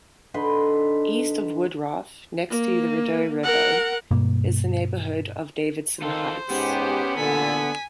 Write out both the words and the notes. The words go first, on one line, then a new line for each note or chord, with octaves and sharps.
East of Woodroffe, next to the Rideau River, is the neighbourhood of Davidson Heights.
D3 D#4 B4 C6
A#3
A#4 F#5
G2 B2 A#3
D#3 F4 A4 C5
G#2 B3 C#4 G4
A1 A#2 D3 A4 G#5 B6